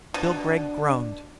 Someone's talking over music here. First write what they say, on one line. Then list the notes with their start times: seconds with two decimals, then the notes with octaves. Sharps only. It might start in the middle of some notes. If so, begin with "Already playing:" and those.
Bill Gregg groaned.
0.14 B2 D4